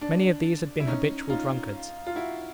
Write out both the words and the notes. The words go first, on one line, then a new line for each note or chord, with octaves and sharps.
Many of these had been habitual drunkards.
D4
E4
C#4 D#4
D#4 F4
F4
E4 F#4